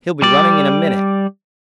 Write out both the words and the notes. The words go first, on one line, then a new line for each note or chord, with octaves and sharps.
"He'll be running in a minute."
G3 D5